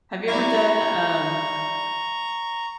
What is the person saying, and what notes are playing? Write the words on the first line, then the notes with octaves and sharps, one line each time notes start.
Have you ever done, um
G3 E4 A#5 C#6